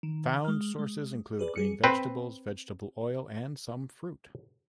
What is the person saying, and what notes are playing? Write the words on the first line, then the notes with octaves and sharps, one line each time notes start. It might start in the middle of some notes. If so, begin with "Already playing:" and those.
Found sources include green vegetables, vegetable oil, and some fruit.
D#3
G#3 F6
G#3
G#4 B4 D5
G3 G#4 C#7
C4 B4